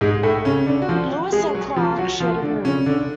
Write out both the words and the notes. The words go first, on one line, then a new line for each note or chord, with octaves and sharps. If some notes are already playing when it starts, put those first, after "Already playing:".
Lewis and Clark shared a room.
G#2 G#3
A2 A3
C#3 C#4
D3 D4
F#4
F3 F4
G#3 G#4
F#3 F#4
F3 F4
F#3 F#4
F3 F4
D3 D4
C#3 C#4
D3 D4